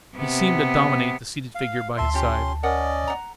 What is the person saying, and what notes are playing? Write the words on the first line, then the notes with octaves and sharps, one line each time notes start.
He seemed to dominate the seated figure by his side.
C3 B3
F5
D2 E5 A5 C6 C7
C#4 F4 G4
C#4 A#4 D5 D#5 F#5
F#5 A#5